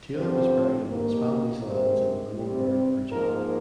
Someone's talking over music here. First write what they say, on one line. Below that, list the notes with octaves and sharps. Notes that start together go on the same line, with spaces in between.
Taylor was buried on his family's land in Lunenburg, Virginia.
G2 D3 F3 C4 C5
G2 D#3 A#3
C3 D#3 G#3 C5
C3 G3 C4
G#2 F3 A#3 A#4